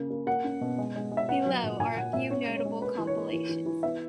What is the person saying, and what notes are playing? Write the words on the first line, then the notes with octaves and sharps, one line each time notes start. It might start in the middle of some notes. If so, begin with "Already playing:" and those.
Below are a few notable compilations.
Already playing: C#3 A#3
A#3
A#3 F#5
C#4
B2
G#3
G#3
G#3
E5
B3 F#5
F#3
A#2
A#2 G#5
A#2 F#5
A#2 E5
C#4 C#5
G#3
C#5
G#3
A#3 B4
E3
C#5
A#3
E3
E3
E3
B3 E5